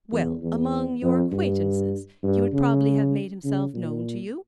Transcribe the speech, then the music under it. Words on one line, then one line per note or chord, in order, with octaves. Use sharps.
"Well, among your acquaintances--he would probably have made himself known to you?"
E2
E2
F2
G2
G2
C#3
C#3
A#2